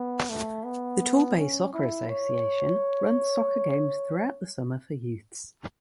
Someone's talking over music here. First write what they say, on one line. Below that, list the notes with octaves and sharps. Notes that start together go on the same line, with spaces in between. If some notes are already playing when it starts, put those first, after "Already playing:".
The Torbay soccer association runs soccer games throughout the summer for youths.
Already playing: B3
A3
B3
C#4
E4
C#5